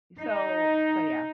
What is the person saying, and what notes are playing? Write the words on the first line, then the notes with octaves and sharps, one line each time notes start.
so so, yeah.
D#4